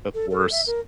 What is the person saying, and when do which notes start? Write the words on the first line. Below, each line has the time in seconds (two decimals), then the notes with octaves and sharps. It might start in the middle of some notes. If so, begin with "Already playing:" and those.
That's worse.
0.14 A4
0.30 A4
0.51 E5
0.67 A#4